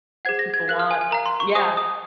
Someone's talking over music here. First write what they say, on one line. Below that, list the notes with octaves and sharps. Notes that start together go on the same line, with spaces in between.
as people want. Yeah.
G#4 C5 F#5 G#6
A#6
G#6
A#4 F5 F#6
F6
G#5
G#5
A#4 F5 A#5
C6
C#6
C5 F#5 D#6
D#6